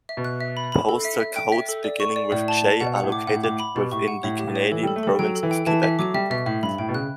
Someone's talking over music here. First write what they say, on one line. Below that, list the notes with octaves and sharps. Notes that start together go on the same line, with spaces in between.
Postal codes beginning with J are located within the Canadian province of Quebec.
E5
B2
F#6
E5
B5
B5
A4
E5
E5
G5
E5
A4
D5
C#6
D5
A2 D5
A5
A5
B2 F#5
F#5
A2
D6
A2 F#5
A2 D6
B5
B2 G4
A2 C#6
F#5
A2 C#5
G4
A2
C#5
E3 A4
G3
A4
A3
G3 A4
F#3 G5
A4
E3
G5
E3 A5
E3 E5
F#3 D6
G3 E5
B2 E5
A2 E5
G2 B5
A2 G5
B2
C#3 F#6